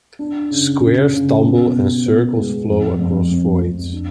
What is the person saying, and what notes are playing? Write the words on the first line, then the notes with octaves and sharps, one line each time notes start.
Squares tumble and circles flow across voids.
D4
C#3
C#3
C#3
B2
B2
B3
G#3
F2
F2
F2
F2
D4